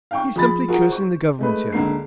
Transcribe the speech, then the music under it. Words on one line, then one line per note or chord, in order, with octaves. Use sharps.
'He's simply cursing the Government here.
F5 G5 C#6
F3 G#4 B5 A6
F4 F#4 G#4 A#4
C5 C#6
G#3 A3 B4
C#2 D3 A#3 C7